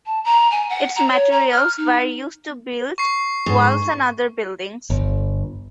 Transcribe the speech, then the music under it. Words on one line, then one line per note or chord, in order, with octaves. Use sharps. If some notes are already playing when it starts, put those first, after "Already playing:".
Its materials were used to build walls and other buildings.
A5
A#5
G#5
F#5
A#5
C#5
A#5
F6
D#4
C#6 C7
G#2
G1